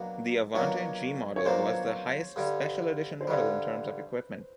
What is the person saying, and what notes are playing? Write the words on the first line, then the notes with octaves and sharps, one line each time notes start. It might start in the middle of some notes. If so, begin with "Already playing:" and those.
The Avante G model was the highest special edition model in terms of equipment.
Already playing: B2 F#3 A#3 D4
B2 F#3 A#3 D4 F4 C#5
C#5
B2 F#3 A#3 D4 F4 C5
G2 D3 G3
C5
G2 D3 G3 B4